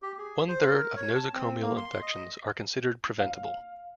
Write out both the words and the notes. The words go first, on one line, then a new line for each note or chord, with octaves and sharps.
One-third of nosocomial infections are considered preventable.
G4
G#4
C5
A#4
C#5
A5
C4
A#3
C6
D#5
F5